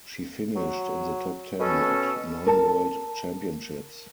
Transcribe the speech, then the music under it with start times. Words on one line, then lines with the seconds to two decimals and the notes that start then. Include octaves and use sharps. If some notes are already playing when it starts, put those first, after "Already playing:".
She finished in the top ten at nine World Championships.
0.56 F#3
1.59 B2 C#4 A4
2.46 A#4 A5